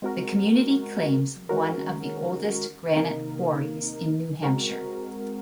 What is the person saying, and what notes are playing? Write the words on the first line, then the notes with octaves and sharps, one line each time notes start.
The community claims one of the oldest granite quarries in New Hampshire.
G#3 C4 F#4 A#4
D#3 G#3 C#4 F#4 A#4
C3 D#3 A#3 D#4 A#4
G#3 C4 F#4 A#4